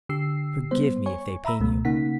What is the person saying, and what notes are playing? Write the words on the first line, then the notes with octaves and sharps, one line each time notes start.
Forgive me, if they pain you.
D3 G4 E6 C7
G3 B3 C5
C#5 G#5 C#6
E5 A#5 B5 E6
C#2 B2 A3
C#3 A#3 D#4 F#5 B6